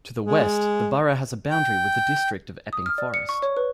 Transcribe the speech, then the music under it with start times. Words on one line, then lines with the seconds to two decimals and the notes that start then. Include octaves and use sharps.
To the west the borough has a boundary with the district of Epping Forest.
0.22 G#3
1.50 G5
2.73 D#6
2.86 F6
2.98 D5
3.14 C#7
3.29 C#6
3.42 C#5
3.57 B4